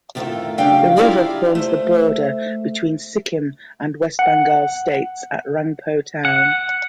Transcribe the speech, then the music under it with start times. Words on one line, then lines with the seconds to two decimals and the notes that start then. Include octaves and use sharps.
The river forms the border between Sikkim and West Bengal states at Rangpo town.
0.15 F#2 A2 D#3 A3 F4
0.58 C#3 F#3 G3 D4 F5 G5
0.96 E4 F4 G4 G#4 D5 A#5
1.55 A3 C5
4.19 F#5
6.25 F#5